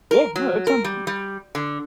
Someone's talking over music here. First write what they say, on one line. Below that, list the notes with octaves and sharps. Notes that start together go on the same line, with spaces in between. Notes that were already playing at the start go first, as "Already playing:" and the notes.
Well, no, that sounds
A#4
F#3
A#4
G3
G3
D3